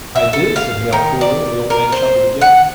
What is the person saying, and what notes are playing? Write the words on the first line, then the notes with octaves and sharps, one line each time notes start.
"I did," said Hale coolly, and the old man chuckled again.
E5
A4
F5
D#3
D5
A#4
C5
F#5